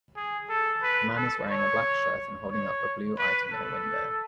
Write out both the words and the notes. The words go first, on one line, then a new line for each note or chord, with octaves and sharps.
The man is wearing a black shirt and holding up a blue item in a window.
G#4
A4
B4
A4
C#5
C#5
B4
A4